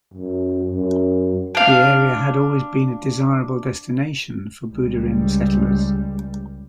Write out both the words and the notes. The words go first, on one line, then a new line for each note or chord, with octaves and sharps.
The area had always been a desirable destination for Buderim settlers.
F#2
F#2
D4 F5
C#2 G3